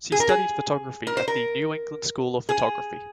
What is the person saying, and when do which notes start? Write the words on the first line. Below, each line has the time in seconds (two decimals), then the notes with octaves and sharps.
She studied photography at the New England School of Photography.
0.12 G#4
0.20 A#4
0.29 G#4
1.07 A#4
1.17 C5
1.28 A#4
2.49 G#4